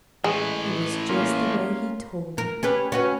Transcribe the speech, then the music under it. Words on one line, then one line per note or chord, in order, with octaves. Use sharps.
It was just the way he told it.
A2 E3 G#3
A#3 C#4 F4
A#4
C#4 G4 B4
C#4 F#4 B4